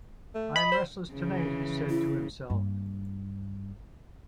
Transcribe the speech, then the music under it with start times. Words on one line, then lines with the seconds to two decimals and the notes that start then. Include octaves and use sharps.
"I'm restless tonight," he said to himself.
0.35 A3
0.56 D#5 B5
0.71 C5
1.13 C#3 E3
1.90 E4
2.50 G2 A#3